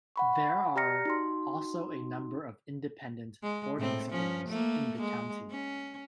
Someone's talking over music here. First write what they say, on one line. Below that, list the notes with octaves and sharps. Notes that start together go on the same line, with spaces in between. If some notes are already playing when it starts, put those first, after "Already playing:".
There are also a number of independent boarding schools in the county.
F#5 B5 C#6
G4 D5 A#5 F6 A#6 C#7
D#4 F#4 C6
G#3
A2 C4
F3 C#4
A3 A#3
G#3
C#4